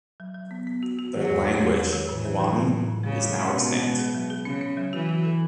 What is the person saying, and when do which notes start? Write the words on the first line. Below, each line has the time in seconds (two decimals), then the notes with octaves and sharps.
Their language, Hoanya, is now extinct.
0.20 F#3
0.35 F#3
0.51 B3
0.67 B3
0.83 F#4
0.99 F#4
1.14 D#3 F#3
1.30 E2
1.46 G#3
1.61 E2
1.77 E2
1.93 D#3
2.09 A2 E3
2.25 F#3
2.40 F#3
2.56 A2
2.72 A2
2.88 A2
3.03 C#3 G#3
3.19 E4
3.35 G#3
3.51 B2 C#4
3.67 G#3
3.82 G#3
3.98 G#4
4.15 F#3
4.30 G#4
4.45 C#3 C#4
4.61 C#4
4.77 F#3
4.93 E3 F#4
5.09 F#4
5.25 A4